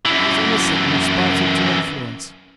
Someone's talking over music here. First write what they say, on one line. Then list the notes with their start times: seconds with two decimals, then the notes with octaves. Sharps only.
He is innocent and responsive to influence.
0.05 F#2 E3